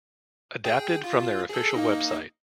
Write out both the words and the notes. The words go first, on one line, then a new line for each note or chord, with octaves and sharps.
Adapted from their official website.
G#4 G5
F4
G#4 A4
A#3 D#4 D#5